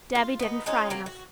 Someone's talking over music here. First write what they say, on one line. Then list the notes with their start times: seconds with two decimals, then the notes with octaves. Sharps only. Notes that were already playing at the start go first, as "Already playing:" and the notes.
Debby didn't fry enuff.
0.15 F4
0.39 B3 D#4
0.66 G#3 C#4 D#4 F4
0.90 F#3 A#3 C4
1.06 F#4